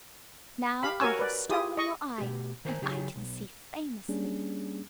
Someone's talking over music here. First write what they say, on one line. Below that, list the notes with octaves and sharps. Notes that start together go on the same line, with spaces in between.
Now I have stolen your eye, and I can see famously.
G4 F5 B5
F#4 A#4 C#5 G#5 E6
B4 D5
E4 G4 G#4 D#6
D#5 C#6
B2 A3 G4
D#3 A#4 C5 F#5 G#5 A#5
C#3 F#3 D#4 G4 G#4 G5
B1
G3 A#3 C#4 D4 G#4